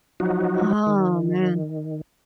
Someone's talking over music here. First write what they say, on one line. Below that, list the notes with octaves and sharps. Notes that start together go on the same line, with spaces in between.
Oh, man.
F3 F#3 D#4 F#4
D#3